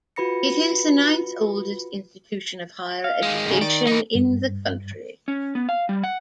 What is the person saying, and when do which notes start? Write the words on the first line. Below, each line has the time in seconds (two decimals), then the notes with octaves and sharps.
It is the ninth oldest institution of higher education in the country.
0.16 F4 F#4 B4 B5 A#6 C#7
3.04 F5
3.22 D#3 G#3
3.46 G#2 C#3
3.61 D#3 D5
3.87 E3 D#4
4.15 G2
5.28 C#4
5.55 B3
5.69 F5
5.89 G3
6.04 F#5